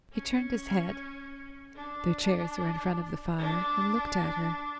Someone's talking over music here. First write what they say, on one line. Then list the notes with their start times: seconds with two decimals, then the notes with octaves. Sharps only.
He turned his head--their chairs were in front of the fire--and looked at her.
0.12 C#4
1.76 D4
3.38 D4